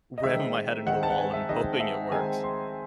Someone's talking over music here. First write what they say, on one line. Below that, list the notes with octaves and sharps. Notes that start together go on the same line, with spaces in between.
ramming my head into the wall and hoping it works.
D#5
D#3 G#3 C4 D#4 E5
D#3 G#3 C4 D#4 F#5
A5
F#5
G#5
E5
D#3 G#3 C4 D#4 D#5
E5
D#3 G#3 C4 D#4 G#5
C6